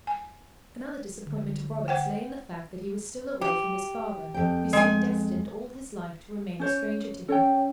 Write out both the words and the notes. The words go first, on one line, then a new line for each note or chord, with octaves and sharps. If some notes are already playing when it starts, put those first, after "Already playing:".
Another disappointment to Roberts lay in the fact that he was still away from his father, who seemed destined all his life to remain a stranger to him.
G#5
D3
C5 F#5 G5
G4
F2 G5
G#3 G#5
C#4 C5 C#5
C#4 A4 C#5 G5